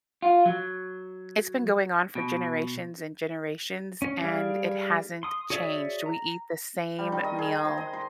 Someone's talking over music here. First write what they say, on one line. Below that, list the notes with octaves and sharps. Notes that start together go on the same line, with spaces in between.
it's been going on for generations and generations, and it hasn't changed. We eat the same meal
F4
F#3
B2
C#4
G3 G#4 D5 F5
C6 D#6
F#4 G#4 C#5 D5 E5
A#5
G3
D#3
D#5
G#4
C5
D#5
C6